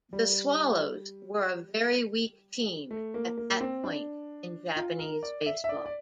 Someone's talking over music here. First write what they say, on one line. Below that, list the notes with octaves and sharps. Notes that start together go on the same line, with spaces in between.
The Swallows were a very weak team at that point in Japanese baseball.
G3
A3
A#3
A#3
A#3
C4
D4
F4
A#4
D5
E5
E5
D5
D5